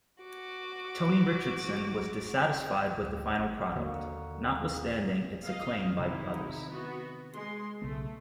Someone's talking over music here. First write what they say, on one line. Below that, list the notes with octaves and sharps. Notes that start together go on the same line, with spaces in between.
Tony Richardson was dissatisfied with the final product, notwithstanding its acclaim by others.
F#4 D6
D2
G#1
D#2 D3 A#3 F#4
D#5 F5
C3 D#3 D#4 E4
B3 F#4
G#3 C6
B1 C#3 A3 B3